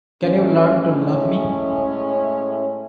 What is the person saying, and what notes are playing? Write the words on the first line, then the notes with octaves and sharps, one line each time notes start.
Can you learn to love me?
A2 G#3 C#4